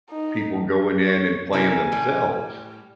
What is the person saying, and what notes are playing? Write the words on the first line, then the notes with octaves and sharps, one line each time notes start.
people going in and playing themselves,
D#4
C#5
C3 E4 A#4 G#5
A2 G3